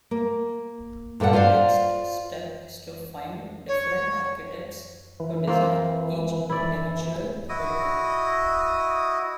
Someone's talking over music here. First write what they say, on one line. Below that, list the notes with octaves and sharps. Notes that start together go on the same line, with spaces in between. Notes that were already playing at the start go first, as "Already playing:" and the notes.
The next step is to find different architects to design each individual building.
A#3
G2 A#2 A4 A#4 F#5
F4 C5 D5 F5
C#5
E3
A#3 C4 F4
E3 E4 D5
E4 F#4 D#5 D#6